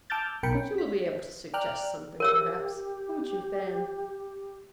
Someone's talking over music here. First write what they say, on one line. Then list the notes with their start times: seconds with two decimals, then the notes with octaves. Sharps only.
She will be able to suggest something, perhaps--won't you, Fan?'
0.10 A5 D6 E6 F6 G6 A6
0.43 B1 A#4 G5 B5 C#7
0.55 C#4 G5
0.78 B6
1.54 D5 G5 A#5 F6 F#6
2.20 G4 A#4 C#5 E6